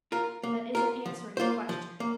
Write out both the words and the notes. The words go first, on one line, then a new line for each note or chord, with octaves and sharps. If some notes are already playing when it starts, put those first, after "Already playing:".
"That isn't answering the question."
F4 A#4
A#3
F4 A#4
F3
A#3 F4 C5
F3
A#3